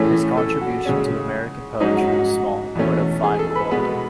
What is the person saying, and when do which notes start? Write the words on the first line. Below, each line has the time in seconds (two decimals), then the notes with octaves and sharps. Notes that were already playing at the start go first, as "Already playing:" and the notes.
His contribution to American poetry is small but of fine quality.
Already playing: A2 E3 A3 C#4 G#4
0.37 A4
0.61 F#4
0.85 C#3 G#3 C#4
1.80 G#2 F#3 C#4 D#4
1.97 F#4
2.12 F#4
2.75 E2 B2 A3 C#4
3.24 G#4
3.39 A4
3.55 B4
3.71 B2 G#3 B3 B4